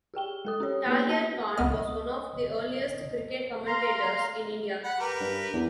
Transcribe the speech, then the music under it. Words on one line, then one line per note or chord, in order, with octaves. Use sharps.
Talyarkhan was one of the earliest cricket commentators in India.
G4 G#4 G5 G7
G#3 A4 D#6
C#4 G4 C#5
A#3 B3 G#4 B4
F#4 A5 D#7
C#2 B3 D#5 F6
F5 A#5 C6
F#5 B5
G4 A#4 B4
G2
E2